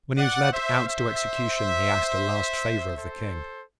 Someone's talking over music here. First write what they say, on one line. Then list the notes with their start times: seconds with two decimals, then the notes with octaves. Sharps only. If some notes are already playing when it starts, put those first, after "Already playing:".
When he was led out to execution he asked a last favour of the King.
0.17 D5 F#5
0.52 C5 E5
0.87 C5 E5
2.97 A4 C5